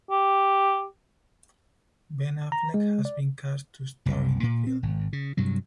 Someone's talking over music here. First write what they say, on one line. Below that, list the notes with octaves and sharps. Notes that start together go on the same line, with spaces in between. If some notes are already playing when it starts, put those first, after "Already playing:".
Ben Affleck has been cast to star in the film.
G4
A#5
G#3
D5
F#1 C2
A#2
C4
G#1
C#3
G2 C3 F#3